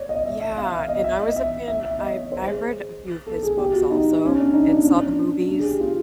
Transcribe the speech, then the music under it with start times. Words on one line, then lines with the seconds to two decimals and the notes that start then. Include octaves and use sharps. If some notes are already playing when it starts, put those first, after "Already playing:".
Yeah, and I was a fan. I've I've read a few of his books also and saw the movies
Already playing: C#5 D5
0.09 D#5
0.25 E5
0.41 E5
0.58 F5
0.73 E5
0.88 D#5
1.04 E5
1.20 D#5
1.36 E5
1.68 E5
1.84 E5
1.99 D#5
2.16 C#5
2.32 C5
2.47 G#4
3.27 A4
3.43 G#4
3.57 G4
3.73 F#4
3.90 D#4
4.25 C#4
4.39 D4
4.53 D#4
4.69 D4
4.84 C#4
5.00 D4
5.48 D4
5.59 G#4
5.64 G4
5.80 F4